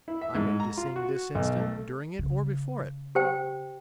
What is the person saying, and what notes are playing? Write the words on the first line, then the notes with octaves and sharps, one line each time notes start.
"I'm ready to sing this instant,--during it, or before it."
E4
E5
G#2
A#5
F4
F#4
B1
A3
C#3
G4 C5 G5